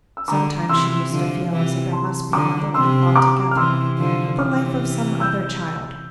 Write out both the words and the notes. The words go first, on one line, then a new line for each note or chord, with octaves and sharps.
Sometimes she used to feel as if it must be another life altogether, the life of some other child.
E6
D3 A#5 D6
C3 E3 C6 E6
D3 F3
C3 E3
A5 C6
D3 A#5 D6
C3 C6 E6
A#5 D6
F6
C3 E3 C6 E6
D3 F3
C3 E3 D6 F6
E6 G6